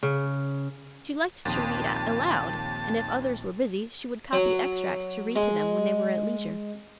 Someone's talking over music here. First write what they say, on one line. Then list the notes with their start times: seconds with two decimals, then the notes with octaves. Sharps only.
She liked to read aloud; and if others were busy, she would copy extracts to read to them when they were at leisure.
0.03 C#3
1.45 A#1 D#2 C4 A5 D#6
4.33 F#3
5.36 G#3